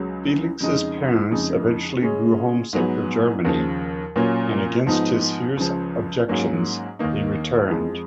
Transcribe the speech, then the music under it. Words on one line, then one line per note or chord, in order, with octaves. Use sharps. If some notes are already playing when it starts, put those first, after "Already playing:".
Felix's parents eventually grew homesick for Germany and, against his fierce objections, they returned.
Already playing: C#2 C#3 F#3
F2 C#3 G#3 D#4
F2 C#3 G#3 D#4
C#3 G#3 C#4
G#2 F#3 B3
D#2 C#3 F3
A#2 F#3 A#3 C#4
G#2 F3 B3 D#4
C#2 C#3 F3
G#2 F#3 A#3 C#4
D#2 D#3 A#3 D#4
F2 F3 G#3